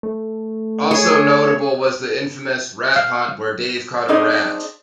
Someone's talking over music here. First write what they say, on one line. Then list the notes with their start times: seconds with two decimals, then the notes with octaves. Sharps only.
Also notable was the "infamous" rat hunt where Dave caught a rat.
0.03 A3
0.91 G#4 C#5
2.96 F5
4.08 C4 D4 D#4 G#4 D#5